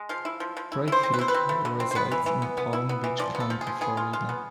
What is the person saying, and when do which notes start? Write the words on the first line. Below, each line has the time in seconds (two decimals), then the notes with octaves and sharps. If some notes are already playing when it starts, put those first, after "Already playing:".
Brightfield resides in Palm Beach County, Florida.
Already playing: G#3
0.09 F3 F5
0.25 E4
0.40 F3
0.57 F3
0.72 E4
0.88 E4 C5
1.03 C4
1.14 B4
1.19 E4 C5
1.28 B4
1.34 C4
1.49 A3
1.65 D3
1.80 C4
1.91 C5
1.95 B3 B4
2.12 E3
2.26 E3
2.42 B3
2.57 B3
2.73 E4
2.89 B3
3.04 E3
3.19 F3 D5
3.35 B3
3.40 A4
3.50 F3
3.61 G#4
3.67 F3
3.81 B3 G#4
3.97 F4
4.13 F4
4.29 B3